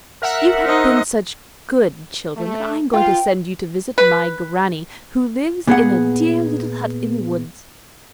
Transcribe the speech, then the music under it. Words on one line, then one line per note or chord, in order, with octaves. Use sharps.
'You have been such good children that I am going to send you to visit my granny, who lives in a dear little hut in the wood.
A#4 E5 F#5
D#4 C5 D#5
A3
F4 G5
B4
A#2 B3 G#4 A4 F#5